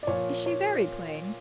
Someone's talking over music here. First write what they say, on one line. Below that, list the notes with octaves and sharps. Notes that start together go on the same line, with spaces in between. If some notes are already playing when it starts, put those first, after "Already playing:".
"Is she very plain?"
D5
A#2 F3 C#5
C#5